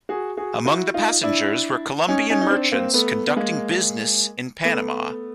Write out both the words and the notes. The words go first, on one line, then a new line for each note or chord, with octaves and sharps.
Among the passengers were Colombian merchants conducting business in Panama.
F#4 G#4
F#4 G#4
E4 F#4
D#4 F4
D4 E4
C#4 D#4
C#4 D#4
D#4
C4 D4
A#3 C4
A3 B3
B3
G#3 A#3
A3 B3